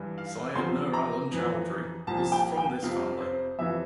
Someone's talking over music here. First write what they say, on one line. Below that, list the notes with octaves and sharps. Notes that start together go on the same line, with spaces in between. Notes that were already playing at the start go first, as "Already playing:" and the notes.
Syed Nur Alam Chowdhury was from this family.
Already playing: G2 E3
F5
E2 C3 F3 C6
A#5
F2 E3
C2 A#2 F3 A5
G5
G5
F2 C3 F3 F5
C5
F2 C3 E3 E5